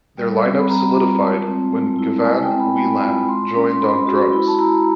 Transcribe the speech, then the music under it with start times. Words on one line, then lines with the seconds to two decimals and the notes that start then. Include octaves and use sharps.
Their line-up solidified when Gavan Whelan joined on drums.
0.17 G3
0.43 C4
0.58 B5
0.69 G3 A#5
0.95 F4
1.21 G#3 A5
1.47 C4
1.73 G#3
1.99 E4
2.20 A5
2.25 G#3 G#5
2.42 G5
2.51 C4
2.60 B5
2.77 G#3 B5
3.03 F4 B5
3.29 G#3 C6
3.55 C#4
3.71 C6
3.80 G#3 B5
4.07 F#4
4.32 E4 B5
4.47 A5
4.59 E4 A#5